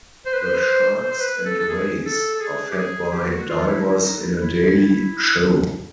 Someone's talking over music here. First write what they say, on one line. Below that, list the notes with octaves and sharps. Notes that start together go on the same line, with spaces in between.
The sharks and rays are fed by divers in a daily show.
C5
B4
C5
B4
C5
C5
C5
B4
A4
A4
G#4
A4
A4
G#4
G4
G#4
G#4
G4
F4
F#4
F4
F4
E4
D#4
E4
D#4
E4
E4